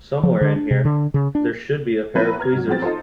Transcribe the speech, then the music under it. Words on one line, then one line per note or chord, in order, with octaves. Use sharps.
Somewhere in here, there should be a pair of tweezers.
F3
D3
D4
C3
D3
C#3
D4
F3 B3 E4 A#4 B4 C#5
A#5 F6 G#6
G#2 F#3
F3 F#3 B3 C4 A6
D#4 F4 A4 C5